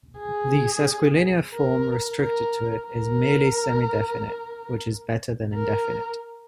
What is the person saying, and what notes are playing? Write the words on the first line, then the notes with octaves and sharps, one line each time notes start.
The sesquilinear form restricted to it is merely semidefinite, which is better than indefinite.
G#4
A#4
A#4
A#4
A#4